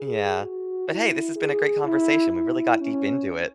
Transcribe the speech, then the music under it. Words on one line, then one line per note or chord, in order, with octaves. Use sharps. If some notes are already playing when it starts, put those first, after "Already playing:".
Yeah. But hey, this has been a great conversation, we really got deep into it.
Already playing: G#4
F#4
E4
G#4
E4
E4
C#4